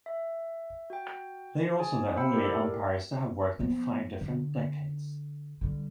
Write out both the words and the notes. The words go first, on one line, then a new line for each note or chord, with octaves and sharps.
They are also the only umpires to have worked in five different decades.
E5
F#4 G5
G#4 C#5 G#5
C5 F5 G5 B5 E6 C#7
E4 G4 A4 A#4 D5
F3 B3
D3
D3 G3